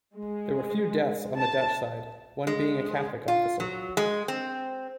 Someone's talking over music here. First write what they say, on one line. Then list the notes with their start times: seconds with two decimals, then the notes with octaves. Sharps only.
There were few deaths on the Dutch side, one being a Catholic officer.
0.15 G#3
1.38 A5
2.47 G#3
3.28 F4
3.60 F#3
3.97 G#3
4.28 C4